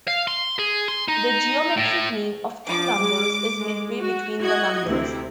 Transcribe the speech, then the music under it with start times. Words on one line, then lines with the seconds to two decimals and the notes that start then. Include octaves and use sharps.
The geometric mean of two numbers is midway between the numbers.
0.08 F5
0.28 C6
0.59 G#4
0.88 C6
1.08 D#4
1.77 A2
2.68 F3 D6
2.99 G#3
3.59 G#3
4.00 F#4
4.41 E4 F#4 D#5 F#6 G#6
4.88 D2 C3 E4